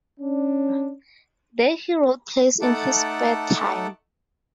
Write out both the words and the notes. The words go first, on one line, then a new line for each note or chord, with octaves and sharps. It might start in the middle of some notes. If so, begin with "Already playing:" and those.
There he wrote plays in his spare time.
C#4 D4
A3 D#4 A4 F#5 A5 D6